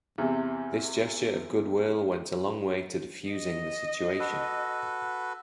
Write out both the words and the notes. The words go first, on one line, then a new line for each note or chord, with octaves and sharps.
This gesture of goodwill went a long way to defusing the situation.
E2 C3
D#5
F#4 A4 B4